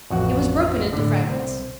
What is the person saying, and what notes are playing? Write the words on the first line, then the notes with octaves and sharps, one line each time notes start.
It was broken into fragments.
A1 F2 F#4 F#5
A2 D3
C2 C5